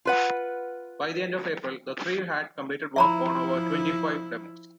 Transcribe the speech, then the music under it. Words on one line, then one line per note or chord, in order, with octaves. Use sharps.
By the end of April, the three had completed work on over twenty-five demos.
F4 B4 F#5
F3 E4 E5 A#5 B5